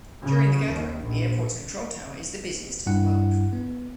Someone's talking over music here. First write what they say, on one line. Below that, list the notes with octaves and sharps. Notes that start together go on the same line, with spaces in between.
During the gathering, the airport's control tower is the busiest in the world.
C#3
D#2
A#1
G2 E4 F#5
B3